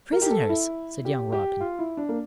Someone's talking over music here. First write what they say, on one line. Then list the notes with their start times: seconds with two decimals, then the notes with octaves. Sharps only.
"Prisoners!" said young Robin.
0.12 A#4
0.22 G4
0.31 A4
0.49 E4
1.05 G4
1.32 G4
1.61 F4
1.79 E4
1.97 D4
2.09 A#3